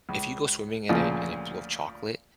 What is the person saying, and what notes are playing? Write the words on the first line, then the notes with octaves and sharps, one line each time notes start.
if you go swimming in a in a pool of chocolate,
C#2
D2 A#2 C#3 F3